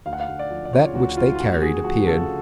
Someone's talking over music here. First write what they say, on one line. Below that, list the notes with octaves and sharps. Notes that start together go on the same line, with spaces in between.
That which they carried appeared.
D2 F5
F#5
F5
D2
D5
F3
D5
C#3 C#5
F4
D2 F#4
D2 F4
F4
D2 F#4
D2 G#4
F3 F#4
C#3 A4